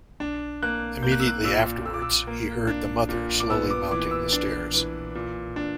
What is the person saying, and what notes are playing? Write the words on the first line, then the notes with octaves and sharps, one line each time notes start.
Immediately afterwards he heard the mother slowly mounting the stairs.
D4
A#3 F#6
A#3 G6
F#6
E6
F#6
A#2 E6
A#2 E6
D6
E6
A#3
D4
A#2
D6
B3 E6
D6
E3 D6
E6
D4
E3
A#2
D4